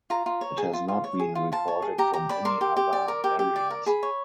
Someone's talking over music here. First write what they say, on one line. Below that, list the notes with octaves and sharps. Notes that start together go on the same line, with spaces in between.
It has not been reported from any other areas.
F4 A#5
F4
C#5
G#4
F4
F4
C#5
G#4
F4
F4 A5
C#5
G#4
G4 A#5
G4 A#5
D5 B5
A#4 C6
G4
G4
D5
A#4
G4
G4
D5
A#4
G#4 B5
C#5